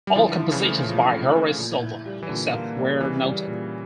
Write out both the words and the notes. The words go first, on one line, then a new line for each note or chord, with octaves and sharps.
All compositions by Horace Silver, except where noted.
G3
D3 F3 E4
E4
C#3 E3
A3
F3
A3
A3
A#2
E4
G3
E3
A#2 D3
A#3
G3
C#3 E3 G3
G3
A#2